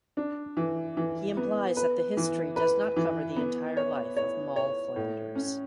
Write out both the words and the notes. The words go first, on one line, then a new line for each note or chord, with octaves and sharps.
He implies that the history does not cover the entire life of Moll Flanders.
D4
E3
E3
B3
B4
E3
B4
E3
B3
C#5
C#5
C#5
A2
C#4